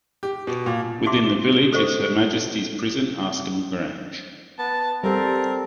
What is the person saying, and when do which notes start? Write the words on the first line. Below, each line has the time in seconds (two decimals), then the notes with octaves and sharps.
Within the village is Her Majesty's Prison Askham Grange.
0.23 G4
0.47 B2
0.66 A#2
1.06 D#4 E5 F#5 C6 D6
1.73 A4 C5 D#5 F#5 C#6
4.59 B3 A5
5.04 G3 C4 A4 A#4